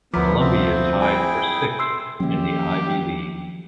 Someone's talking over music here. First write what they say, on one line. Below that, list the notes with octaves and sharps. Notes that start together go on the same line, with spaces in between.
Columbia tied for sixth in the Ivy League.
D2 F3 F#3 B3 E4 A#4 D6 B6
A3 B3 C4 F4
E4 G#4 G5 G#5
C6 E6 C7
D#3 F3 F#3 A#3 C#4 G4